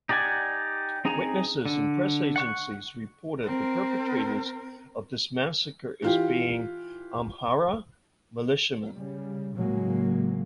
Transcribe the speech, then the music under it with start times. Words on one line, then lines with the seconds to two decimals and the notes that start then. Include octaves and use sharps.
Witnesses and press agencies reported the perpetrators of this massacre as being Amhara militiamen.
0.09 D#4 G4 D5 F#5 G#5
1.05 C4 D#4 G#4 G#5 A#5
1.66 D3
2.36 F#5 C#6 F#6
3.44 C4 A#4
6.02 E3 F4 G4
8.95 C#3 G3
9.56 A2 C#3 F#3 G#3 A#3